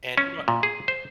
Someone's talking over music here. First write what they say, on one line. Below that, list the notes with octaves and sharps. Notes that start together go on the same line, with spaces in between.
And, you know what?
C#4
A#2
G#4
C5